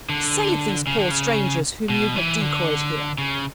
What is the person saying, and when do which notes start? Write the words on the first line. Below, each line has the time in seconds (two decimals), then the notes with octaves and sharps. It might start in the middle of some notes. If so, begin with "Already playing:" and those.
Save these poor strangers, whom you have decoyed here.
0.09 D3
0.87 C#3
0.99 D3
1.11 C#3
1.89 B2
2.16 E3
2.41 D3
3.18 C#3